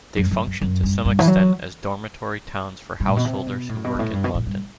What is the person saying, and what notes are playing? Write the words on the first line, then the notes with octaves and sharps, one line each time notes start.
They function to some extent as dormitory towns for householders who work in London.
F#2
F#2
F#2
F#2
G2
G2
E3
F#3
G2
A2
B2
C3
B2
A2
B2
G2
A2
G2
B2
A2
G2